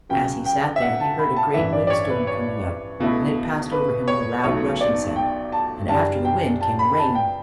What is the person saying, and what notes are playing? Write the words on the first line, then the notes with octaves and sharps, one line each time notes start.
As he sat there, he heard a great wind-storm coming up, and it passed over him with a loud rushing sound, and after the wind came a rain.
C#2 C#3 F#3 C#4 G5
G5
E5
F#5
A5
B5
A5
A1 G2 E3 E5
D5
D5
C#5
B4
C#5
C#2 B2 A3 E4
B4
C#5
B1 B2 F#3 A3 C#5
D5
G5
A5
F#2 C#3 G3 D4 A5
G5
A5
B5
B5
A5
G5